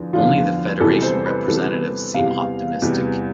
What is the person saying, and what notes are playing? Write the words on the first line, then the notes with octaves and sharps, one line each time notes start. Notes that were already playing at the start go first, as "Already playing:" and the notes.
Only the Federation representatives seem optimistic.
Already playing: E2 D3 F3
E2 D3 F3 F4
E2 C3 E3 G3 A4
C5
B4
E2 C3 E3 G3 A4
E2 C3 G3 F5
E2 C3 G3